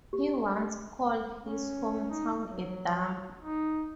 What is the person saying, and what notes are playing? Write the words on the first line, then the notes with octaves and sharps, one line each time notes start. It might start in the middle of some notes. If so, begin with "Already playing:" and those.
He once called his hometown "a dump".
G4
C#4
D#4
F#3
D#4